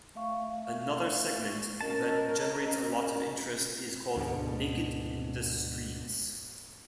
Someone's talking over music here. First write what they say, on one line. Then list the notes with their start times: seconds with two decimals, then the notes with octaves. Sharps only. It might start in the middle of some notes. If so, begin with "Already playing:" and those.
Another segment that generates a lot of interest is called Naked In The Streets.
0.15 A3 E5 F5 C#6
1.81 C#4 A#4 D#5 A5
4.16 D2 G#2 B2 D3